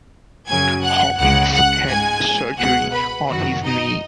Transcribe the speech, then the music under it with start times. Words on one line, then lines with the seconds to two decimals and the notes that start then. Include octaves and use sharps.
Hawkins had surgery on his knee.
0.47 F#2 C#3 F#3 G#5 G#6
0.82 F#5 F#6
1.18 C#2 C#3 G#3 F#5 F#6
1.53 F#5 F#6
1.88 G#2 G#3 G#5 G#6
2.58 C#2 B2 G#3 F#5 F#6
2.92 B4 B5
3.28 F#2 D#3 F#3 F#4 F#5
3.63 D#4 D#5